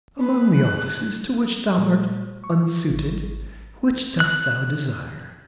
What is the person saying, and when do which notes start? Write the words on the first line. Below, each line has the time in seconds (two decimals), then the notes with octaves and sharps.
"Among the offices to which thou art unsuited, which dost thou desire?"
0.21 B4
0.55 F#6
1.75 A#2 G3 A3
2.44 C#6
2.91 G#1
4.20 F#6